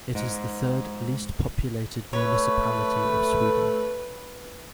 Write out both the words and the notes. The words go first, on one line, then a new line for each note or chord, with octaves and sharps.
It is the third least populated municipality of Sweden.
G#2
A3 B4 C#5